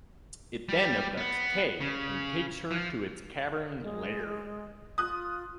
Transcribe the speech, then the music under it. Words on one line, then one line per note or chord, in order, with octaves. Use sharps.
It then abducts Kay and takes her to its cavern lair.
G3
B3
C#3
F3
G#3
F4 D#6 F#6